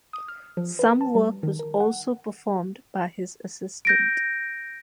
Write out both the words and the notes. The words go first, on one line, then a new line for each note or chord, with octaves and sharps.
Some work was also performed by his assistant.
D#6
F6
F3
B4
A5
G3
D#3
A#4
F#5
G6 A#6 D7